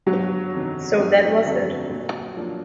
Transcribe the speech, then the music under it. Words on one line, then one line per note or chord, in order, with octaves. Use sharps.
So that was it.
G1 F#3
F2 C3 D#3
G1
F2 D3 G3
A#2
F3 A#3 D4